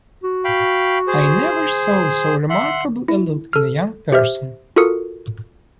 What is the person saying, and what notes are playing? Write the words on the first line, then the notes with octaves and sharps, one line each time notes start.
I never saw so remarkable a look in a young person.
F#4
F5 G5 B5
G#4 C5
E5 F#5 C6 F#6
E4
A4 F6
G4 C5 E5 F6
F4 F#4 A4 A#4 D#6 C#7